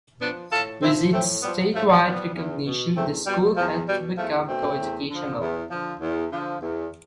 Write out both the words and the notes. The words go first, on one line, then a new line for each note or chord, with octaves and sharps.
With its statewide recognition, the school had to become co-educational.
F3 B3 D4
A2 F4 A4
F3 C4 E4
A2 A3 C4
F3 G3 B3
A2 F3 A3
F3 G3 B3
E2
B2
E2 A3 C4
B2 G3
E2 F3
B2 G3
E2 F3 A3
B2 A3 C4
E2
D3 F3
E2
D3 F3
E2
D3 F3
E2